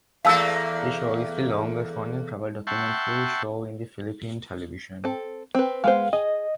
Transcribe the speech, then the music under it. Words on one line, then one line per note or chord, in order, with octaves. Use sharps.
The show is the longest running travel documentary show in the Philippine television.
E2 A3 A#3 F5 A5 E6
E5 F#5 G5 A5 C6 C#6
C4 A4
C4 B4
G#3 B3 C5 F5
G#4 D#5